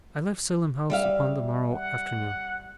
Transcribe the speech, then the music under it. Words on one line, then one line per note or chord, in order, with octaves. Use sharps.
I left Salem House upon the morrow afternoon.
G3 E5 F5
F#5